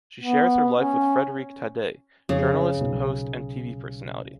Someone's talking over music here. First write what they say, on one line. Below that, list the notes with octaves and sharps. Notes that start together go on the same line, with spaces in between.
She shares her life with Frédéric Taddeï, journalist, host and TV personality.
B3
C#4
F2 C#3
B1